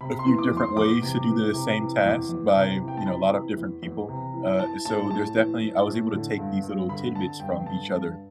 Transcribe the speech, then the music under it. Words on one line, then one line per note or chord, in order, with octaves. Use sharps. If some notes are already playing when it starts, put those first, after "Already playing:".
a few different ways to do the same task by, you know, a lot of different people. Uh, so there's definitely I was able to take these little tidbits from each other
C3 B5
C6
E3
D6
E2
C6
E2 D6
C3
E3
C3
E3
E2
E2
C3
E3
G5
A5
C3 B5
E3
E2
E2
C3
E3
E3 A5
A2 A5
A2 A5
E3
E3
A2
D3
G2
G2
D3 B5
D3 A5
G2 G5
D3 A5
G2 A5